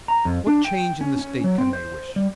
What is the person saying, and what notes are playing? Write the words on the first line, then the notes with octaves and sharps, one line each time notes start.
What change in the state can they wish?
A#5
F2
D4
G5
C#4
C#4
F#3
C4
C5
G3